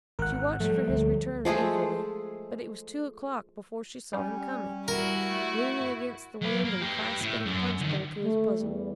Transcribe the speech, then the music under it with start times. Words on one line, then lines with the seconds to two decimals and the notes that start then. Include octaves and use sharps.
She watched for his return eagerly, but it was two o'clock before she saw him coming, leaning against the wind and clasping the punch bowl to his bosom.
0.19 G#1 A#4 F#5
0.60 F3 G3 A3
0.87 D2 A3
1.45 F3 G#3 A3 G#4
4.13 G3 C#4
4.88 E4 F#4 A#4
5.29 A3
6.42 F#3 B4
6.64 A#3
6.82 G4 B4
7.21 A2
7.46 F#2
7.80 D3 D#3
8.22 A3
8.58 E2 G3